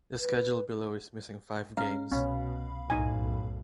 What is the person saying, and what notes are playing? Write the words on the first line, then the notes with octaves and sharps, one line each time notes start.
The schedule below is missing five games.
B4
G#3 C#4 F5 A#5
C2 B2 C#4 F5 B5
B1 F#2 A2 D#4 G#5